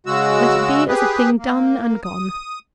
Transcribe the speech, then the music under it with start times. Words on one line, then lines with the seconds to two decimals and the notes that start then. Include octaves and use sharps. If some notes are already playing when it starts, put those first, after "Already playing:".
Let it be as a thing done and gone.
0.06 C#3 G#3 F#4 E6
0.89 G4 G#4 B4
1.38 A#3
2.04 D#6